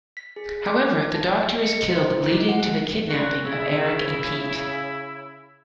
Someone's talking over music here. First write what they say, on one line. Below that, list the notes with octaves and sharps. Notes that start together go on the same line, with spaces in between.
However, the doctor is killed, leading to the kidnapping of Eric and Pete.
B6
G#4
D6
A5
D#5
C#7
C5
E4
A3
F#5
A#2 F#4
C#3 E4